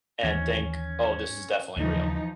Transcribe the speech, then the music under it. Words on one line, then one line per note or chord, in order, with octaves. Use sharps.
and think, "Oh, this is definitely real."
D#2 E3 C#4
D#2 C#3 E3 F3 D#4